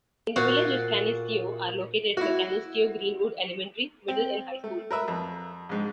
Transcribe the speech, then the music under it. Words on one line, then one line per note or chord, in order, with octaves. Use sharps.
In the Village of Canisteo are located the Canisteo-Greenwood Elementary, Middle, and High Schools.
A#2 F#4 F5
E4 F#4
C4
A3
A#4 B4 E5
F2
A#1 G#2